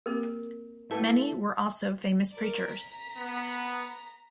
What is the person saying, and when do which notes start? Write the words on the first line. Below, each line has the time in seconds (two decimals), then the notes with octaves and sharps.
Many were also famous preachers.
0.06 A#3 C4 G4 A#4
0.91 A3 E4 F#4 A4 B4
2.32 A#4 D5
2.69 A#5 B6
3.16 B3